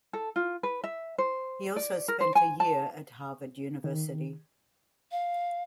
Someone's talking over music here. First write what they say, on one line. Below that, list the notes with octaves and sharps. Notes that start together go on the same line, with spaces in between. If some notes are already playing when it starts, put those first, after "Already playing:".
He also spent a year at Harvard University.
A4
F4
B4
E5
C5
D5
A#4
C5
G#5
A5
D#3
F5